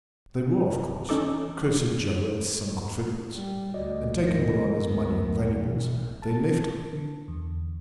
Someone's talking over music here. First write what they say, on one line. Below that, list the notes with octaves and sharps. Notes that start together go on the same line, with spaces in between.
They were of course Cursed Joe and some confederates; and taking Marano's money and valuables, they left him.
E3 C#4 D#4 A4 D6
G3
D2 F#4 D5 D#5
G#2 A#4 A#6
D2 B3
B1 E3
A5
D3
E2